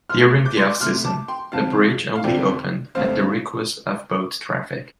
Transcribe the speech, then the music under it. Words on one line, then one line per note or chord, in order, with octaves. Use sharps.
During the off-season, the bridge only opened at the request of boat traffic.
C2 C3 A3 C6 F6
D6 G6
C6
D6
C2 C3 A3 C6 F6
A5 D6
G5 C6
F1 F2 D3 F3 C4 F5 A5
F5
F1 F2 D3 F3 C4 D5 G5
G1 G2 D3 A3 C4 C5 F5